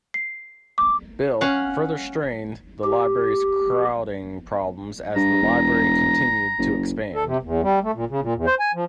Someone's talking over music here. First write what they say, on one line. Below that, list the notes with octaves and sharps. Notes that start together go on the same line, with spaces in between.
Bill, further strained the Library's crowding problems as the library continued to expand.
C7
D6
C#4 F5 F#5
G4
G2 A#5
E1
F#1
A4
C3
E2
G3
A3
A#2
C#3
A#2
E2
C5
G#5
F3